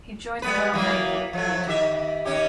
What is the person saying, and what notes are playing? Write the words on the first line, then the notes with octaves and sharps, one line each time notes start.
He joined the Royal Navy at age eleven.
G3 B3 B4
E3 F#3 A#3
F3 F#3 A3
D#3 G4 E5
D#3 C#4 G4